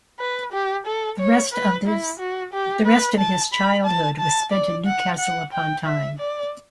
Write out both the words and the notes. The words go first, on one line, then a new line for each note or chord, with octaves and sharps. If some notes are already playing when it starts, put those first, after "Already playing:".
The rest of his childhood was spent in Newcastle upon Tyne.
B4
G4
A4
C#5
B4
E4
F#4
G4
B4
A5
B5
A5
A5
D5
F#5
F#5
G5
E5
D5